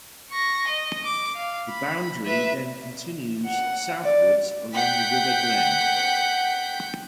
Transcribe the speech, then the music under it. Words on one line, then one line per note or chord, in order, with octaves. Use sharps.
The boundary then continues southwards along the River Glen.
C#6 A#6
D#5
D6
F5
B5
B4 E5
F#5
D5
F#5 G5 G6 B6